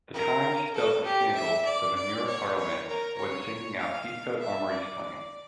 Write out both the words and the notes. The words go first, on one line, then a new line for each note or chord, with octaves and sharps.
"The Times" dubbed the scandal 'The Manure Parliament' when singling out Heathcoat-Amory's claim.
A#4
A4
G4
E5
D5
D5
C#5
C#5
A#4
C#5
F5
E5
D5